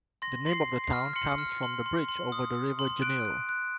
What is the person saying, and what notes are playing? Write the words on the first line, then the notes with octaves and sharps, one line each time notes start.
The name of the town comes from the bridge over the river Genil.
C6 A#6
C6
C7
C6
C7
F6
C6 C#7
F6
C6
C6
C6
D#6
D#6
C6
F#6 D7
F#6
F#6